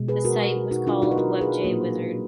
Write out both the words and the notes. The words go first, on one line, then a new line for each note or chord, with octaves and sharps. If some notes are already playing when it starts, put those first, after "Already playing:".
This site was called "Webjay Wizard".
Already playing: B2 G#3
G#4 B4
F#4 A#4
D#4 F#4
D4 F4
D#4 F#4
B4
F#4 A#4
G#4 B4
A#2 F#3 A#3